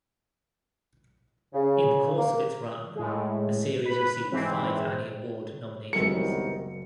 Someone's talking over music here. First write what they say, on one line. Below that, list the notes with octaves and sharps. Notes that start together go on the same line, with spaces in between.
In the course of its run, the series received five Annie Award nominations.
C#3
A#3
A2 G#3
B4 B5
G#2 E3 C4
F#1 C2 D#3 F#3 G#3 B3 A4 C#7